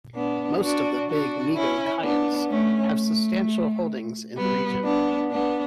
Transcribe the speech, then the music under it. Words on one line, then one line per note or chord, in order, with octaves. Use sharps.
Most of the big negociants have substantial holdings in the region.
B3 D4
D4 F#4
D4 F#4
C#4 E4
B3 D4
A3 C#4
A3
G3 B3
B3 D4
B3 D4